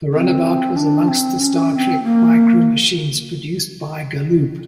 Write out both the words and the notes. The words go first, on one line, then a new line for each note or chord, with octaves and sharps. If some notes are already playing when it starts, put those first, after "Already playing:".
A runabout was amongst the "Star Trek" Micro Machines produced by Galoob.
C4
D4
C4
C#4
C#4
C4
A#3